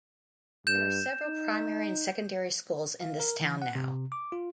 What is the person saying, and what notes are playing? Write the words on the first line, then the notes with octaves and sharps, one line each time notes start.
There are several primary and secondary schools in this town now.
G2 G6 E7
D#4
F5
A#4
E3
F#5
C3
D6
F4